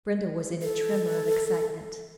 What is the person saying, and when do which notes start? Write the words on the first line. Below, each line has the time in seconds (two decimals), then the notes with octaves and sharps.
Brenda was in a tremor of excitement.
0.62 A4